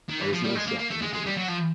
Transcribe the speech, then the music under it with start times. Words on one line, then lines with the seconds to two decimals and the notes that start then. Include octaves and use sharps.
There is no shop in the village.
0.09 D#3
0.21 E3
0.33 F3
0.44 G3
0.56 G#3
0.68 A#3
0.79 A#3
0.91 A3
1.02 G#3
1.14 G#3
1.26 G3
1.37 F#3
1.49 F3